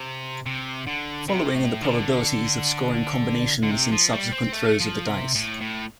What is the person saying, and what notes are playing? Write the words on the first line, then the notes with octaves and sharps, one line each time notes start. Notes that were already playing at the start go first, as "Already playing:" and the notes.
Following are the probabilities of scoring combinations in subsequent throws of the dice.
Already playing: C3
C3
D3
C3
A2
D3
D3
C3
F3
G3
C4
A3
F3
C3
A2
A2